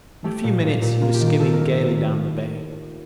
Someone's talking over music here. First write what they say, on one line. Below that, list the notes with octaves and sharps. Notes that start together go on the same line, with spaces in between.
In a few minutes he was skimming gaily down the bay.
A3 G4
A#2
A#2
A#2
A#3 F4
G4
D#3
G4
A#3 A4
A#4
A#3
A4